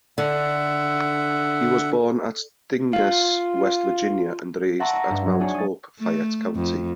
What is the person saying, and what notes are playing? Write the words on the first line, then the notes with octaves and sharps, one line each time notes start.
He was born at Dingess, West Virginia and raised at Mount Hope, Fayette County.
D3 E5 F#5
F4 F5
E5 F#5 A5 A#5 C6 C#6
E5 A#5
G2 D4 E7
F#3
D4 G#4 C#5
D#6 A6
A3
F2